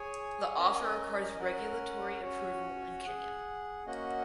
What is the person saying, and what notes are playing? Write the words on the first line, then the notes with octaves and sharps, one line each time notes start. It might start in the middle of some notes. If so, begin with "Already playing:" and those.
The offer requires regulatory approval in Kenya.
Already playing: G#4 C#5 G#5
C#4 A#4 D#5 G#5
C#4 A#4 F#5
C#4 F#4 C#5
G#4 F#5
A#3 C#4 F#4 D#5 F#5